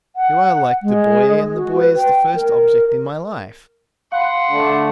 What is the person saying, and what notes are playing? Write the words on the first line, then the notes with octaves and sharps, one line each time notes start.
You are like the boy, and the boy is the first object in my life.
F#5
G#3
F#4
B4
G5
A#4
F5 F#5 B5 C6
D3 A3 D4